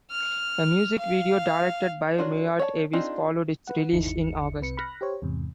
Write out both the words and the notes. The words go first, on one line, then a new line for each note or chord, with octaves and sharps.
A music video directed by Meiert Avis followed its release in August.
F6
F5
D4 F4 F#4 A#4 C#5
C#5 D5 E5 A5
C4 D4 D#4 F4 G#4
B4 F#5
G1 D#2 D#4 E4 C#7
C2 C3 B4 C#7
B5 F6 F#6 A#6
G4 C5 C#5
E2 G#2 C3